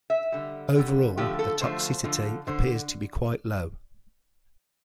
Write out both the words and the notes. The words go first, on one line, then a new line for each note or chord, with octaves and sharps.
Overall, the toxicity appears to be quite low.
E5
D3 G3
D3 G3
D3 F3 A3 G4
A4
D3 F3 A3 C5
D3 F3 A3
D3 C5